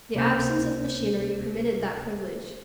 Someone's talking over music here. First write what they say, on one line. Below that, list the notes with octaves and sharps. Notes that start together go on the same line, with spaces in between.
The absence of machinery permitted that privilege.
C#2 C3 A#3 C#4 C5 G6